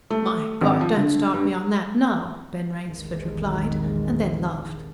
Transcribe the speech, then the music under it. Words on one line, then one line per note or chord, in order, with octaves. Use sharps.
"My God, don't start me on that now!" Ben Rainsford replied, and then laughed.
A3
G#1
F3
D3
G2
F1 A#1 E2 C3 D#3 G#3